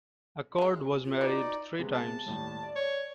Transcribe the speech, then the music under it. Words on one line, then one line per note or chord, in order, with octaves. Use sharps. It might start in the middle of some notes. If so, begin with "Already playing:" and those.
Acord was married three times.
F#3 G#3
F4
D#4 F#4 B4 D5
C3 G#3 B3
A5
D#2 A2 G3
D5
C#5